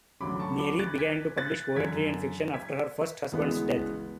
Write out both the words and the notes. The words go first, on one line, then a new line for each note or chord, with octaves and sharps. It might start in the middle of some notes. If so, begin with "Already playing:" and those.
Nery began to publish poetry and fiction after her first husband's death.
D2 D3 F#3 C#4 B5 D6
A5 C#6
B5 D6
F#6 A6
G#6 B6
F#6 A6
F#2 D3 F#3 G#6 B6
G#6 B6
D2 C#3 E3 G#3 B3